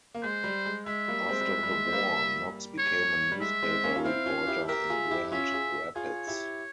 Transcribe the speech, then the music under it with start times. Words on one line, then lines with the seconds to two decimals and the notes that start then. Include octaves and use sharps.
After the war, Knox became a newspaper reporter in Grand Rapids.
0.15 A#3
0.23 G#3 C5
0.44 G3
0.66 G#3
0.86 G#3 E5
1.08 G3 A#3
1.29 G#3 C4
1.41 G3
1.50 G#3
1.63 G3
1.71 G#3
1.87 C4
1.93 G3 A#3
2.78 C#5
3.32 G3
3.41 G#3 E5
3.63 G#3 C4
3.83 A#3 C#4
3.96 F4
4.04 C4 E4 F5
4.26 C#4 F4
4.47 E4 G4
4.68 G4 A#4 E5
4.90 F4 G#4
5.11 E4 G4
5.32 C#4 F4 E5
5.54 F4 G#4
5.96 F4 G#4 C#5
6.27 E4 G4